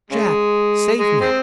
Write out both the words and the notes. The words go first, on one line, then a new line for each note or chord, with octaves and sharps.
Jack! save me!'
C#3 G#3
G#3
G#3 C4